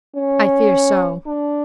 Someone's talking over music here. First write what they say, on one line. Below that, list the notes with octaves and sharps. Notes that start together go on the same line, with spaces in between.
"I fear so."
C#4
D4